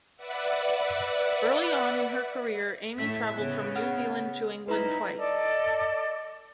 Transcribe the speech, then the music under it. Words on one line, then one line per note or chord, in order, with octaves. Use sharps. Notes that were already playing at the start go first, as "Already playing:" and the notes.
Early on in her career Amey travelled from New Zealand to England twice.
B4 D5 E5 F#5
A2 A3 E5
C#3 B3 F#6
F#5 F6
G3 D#4 E4 B4 A#5
A4 D5 D#5 D6